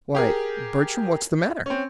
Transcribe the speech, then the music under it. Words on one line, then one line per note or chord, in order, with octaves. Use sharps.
"Why, Bertram, what's the matter?"
G4 G#4 A#4
C4 C#4